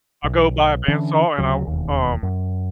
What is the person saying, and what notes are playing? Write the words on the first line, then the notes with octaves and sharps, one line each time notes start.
I'll go buy a band saw and I w um
B1
D3 E3 C#4 D4
D2 C#3 F#3
E1 D#2
F#2